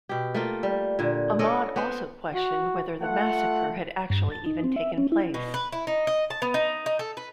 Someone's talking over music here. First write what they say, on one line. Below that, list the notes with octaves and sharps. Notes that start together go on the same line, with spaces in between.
Ahmad also questioned whether the massacre had actually even taken place.
B2 G4
A3 A#3 F4
G3
A#2 D3
C#4 A4 D5 D#5
B3 C5
F#4
A3 F4 F#5
G2
A5
D#4
C4
E5
C#4
E4
B2
B4
E4
D#4
D#5
A5
B3
D#4
D#4
A4
B4